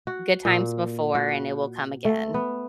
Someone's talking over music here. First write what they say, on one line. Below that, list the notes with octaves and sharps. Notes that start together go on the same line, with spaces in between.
good times before, and it will come again.
F#4
A#2
F#4
A3
B3